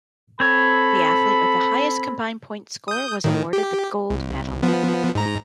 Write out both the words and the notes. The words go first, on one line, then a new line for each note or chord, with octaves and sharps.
The athlete with the highest combined points score was awarded the gold medal.
C4 A4 C#5 B5
D#6 G6
A2 D#3
G4
C2
F3 B3
G#2 A#5